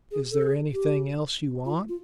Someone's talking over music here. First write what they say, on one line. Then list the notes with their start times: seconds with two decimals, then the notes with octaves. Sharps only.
Is there anything else you want?
0.11 G#4
0.31 A4
0.43 G#4
0.73 G4
1.65 F4
1.89 F4